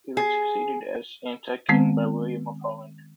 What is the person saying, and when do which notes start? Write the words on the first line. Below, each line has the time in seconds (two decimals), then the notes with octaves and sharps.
He was succeeded as anti-king by William of Holland.
0.17 G#4
1.69 D#3 G#3 B3 C4